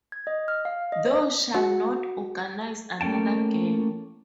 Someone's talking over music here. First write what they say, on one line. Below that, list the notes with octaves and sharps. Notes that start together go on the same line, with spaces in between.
Thou shalt not organize another gang.
G#6
D#5
F6
F5
D#5
C5
F#4
A3 A#3 C#4 G5 A5